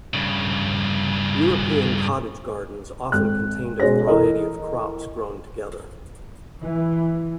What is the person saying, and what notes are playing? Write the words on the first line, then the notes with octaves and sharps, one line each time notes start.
European cottage gardens often contained a variety of crops grown together.
G2 C#3
G#1 C4 A4 F#6
B2 G#3 C#4 C5 A#6
E3 E4 A4 A#4 D#5
E3